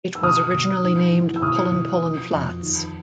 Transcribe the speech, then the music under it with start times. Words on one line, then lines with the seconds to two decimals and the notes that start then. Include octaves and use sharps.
It was originally named Pullen Pullen Flats.
0.15 E6
0.23 B2 D#6 F6
0.54 B2
0.83 G#2
1.13 E3
1.36 E6
1.42 B2 D#6 F6
1.72 B2
2.02 F3
2.32 F2
2.62 D#2